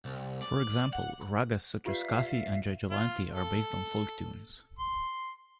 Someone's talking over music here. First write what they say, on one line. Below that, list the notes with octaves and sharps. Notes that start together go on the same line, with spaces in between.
For example, ragas such as Kafi and Jaijaiwanti are based on folk tunes.
C2
D5
F#5
F4 G4 B4 D5 E5 F5
F4
A4
C6